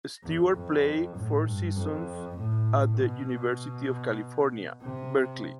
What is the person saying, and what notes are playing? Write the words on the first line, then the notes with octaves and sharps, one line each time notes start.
Stewart played four seasons at the University of California, Berkeley.
E2
F2
A2
G2
F2
A2
B2
C3